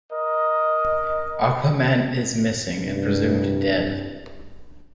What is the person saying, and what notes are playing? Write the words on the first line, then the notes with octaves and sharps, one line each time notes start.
Aquaman is missing and presumed dead.
A#4 D#5
C2 G2